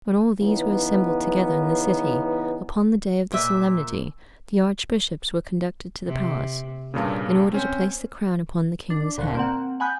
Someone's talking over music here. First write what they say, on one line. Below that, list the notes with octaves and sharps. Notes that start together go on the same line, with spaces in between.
When all these were assembled together in the city, upon the day of the solemnity, the archbishops were conducted to the palace, in order to place the crown upon the king's head.
C#3 E3 B3 C#4 D#4
A#2 E5
C3
G2 A#2 C#3 A#3
C4 C#4 C5
D4
D2 A#2 D3
A#3 C4 F#5
F#5 G#5 B5 D#6 F#6 G6